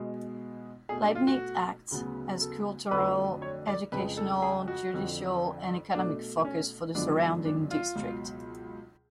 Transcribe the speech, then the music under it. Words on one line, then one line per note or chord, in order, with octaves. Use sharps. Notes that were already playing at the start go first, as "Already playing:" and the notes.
Leibnitz acts as a cultural, educational, judicial and economic focus for the surrounding district.
Already playing: B2 G#3 B3
B2 A3 G#4
D4
F4
F#4
D2 C#3 F#3 B3
A4
F2 D3 F#3 A3 B4
C#5
D5
F2 C#3 G#3 B4
A4
G#4
F#4
F2 D3 F3
B2 A3 D4
C#4
F#2 D3 F3 G#3 B3 D4
D4
F4
C#2 B2 F#3